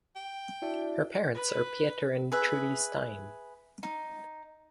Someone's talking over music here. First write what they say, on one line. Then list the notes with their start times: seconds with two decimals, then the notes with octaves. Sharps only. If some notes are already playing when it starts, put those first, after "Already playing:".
Her parents are Pieter and Trudie Steyn.
0.16 G5
0.62 D4 E4 F#4 E5
1.34 B4
2.32 G#4 B4 E5
3.83 D#4